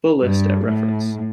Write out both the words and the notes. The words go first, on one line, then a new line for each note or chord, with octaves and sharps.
Full list at reference.
G2
A2